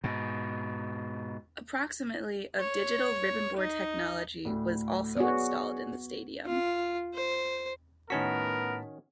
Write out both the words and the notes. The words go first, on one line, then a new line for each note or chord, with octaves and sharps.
Approximately of digital ribbon board technology was also installed in the stadium.
G#2 B2
C#5
D#4
D2 A2
B3 F#4 G#4 C#5 D5
F4
C5
A2 D#3 B3 C#4 F#4 A#4 A5 B6